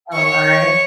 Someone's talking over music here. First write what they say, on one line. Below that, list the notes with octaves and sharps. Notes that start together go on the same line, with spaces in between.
Oh my.
C#5 C#6